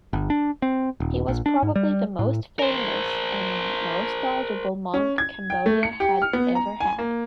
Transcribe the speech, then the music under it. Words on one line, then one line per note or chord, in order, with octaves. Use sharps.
He was probably the most famous and most knowledgeable monk Cambodia had ever had.
G1
D4
C4
D#1
A#1
D4
G#2
G3
A2
A#4 C5
C#4
G#6
G5
A3
C#7
G4
F6
B3
A#5
G#5
A#3